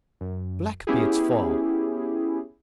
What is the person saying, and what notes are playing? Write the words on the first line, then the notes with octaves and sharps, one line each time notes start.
Black be its fall!
F#2
B3 C#4 E4 G4 G#4